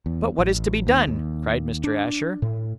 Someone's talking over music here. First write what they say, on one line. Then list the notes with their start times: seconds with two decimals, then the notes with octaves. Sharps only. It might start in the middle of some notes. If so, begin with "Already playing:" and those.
"But what is to be done?" cried Mr. Asher.
0.06 E2
0.39 A1
0.87 D#2
1.07 D#2
1.84 D4
2.42 A2